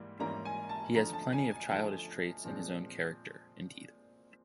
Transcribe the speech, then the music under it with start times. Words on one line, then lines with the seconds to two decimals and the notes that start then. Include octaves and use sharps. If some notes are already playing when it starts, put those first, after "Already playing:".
He has plenty of childish traits in his own character, indeed.
Already playing: G#2 E3 G3 A#3
0.19 G#2 E3 G3 A#3 C#4 A#5
0.45 G#5
0.69 A5
0.95 D3 F3 A3 A#5
1.13 A5
1.33 G#5
1.51 G#5
1.70 D3 F3 A3 A5
2.45 A#2 F3 G#3 C4